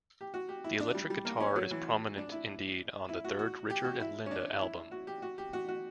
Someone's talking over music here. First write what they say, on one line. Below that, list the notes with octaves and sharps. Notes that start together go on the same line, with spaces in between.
The electric guitar is prominent indeed on the third Richard and Linda album.
G4
F#4
G4
E4
D4
G3
G3
A#3
C#4
F#3
E3
D4
E4
E4
F#4
F#4
G4
F#4
E4
C#4
D4
E4
F#4
G4
F#4
G4
F#4
F#4